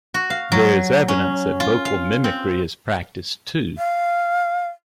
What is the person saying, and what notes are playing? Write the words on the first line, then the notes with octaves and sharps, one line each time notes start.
There is evidence that vocal mimicry is practised too.
F#4
F5
F#3
C#4
F4
F5
C4
F5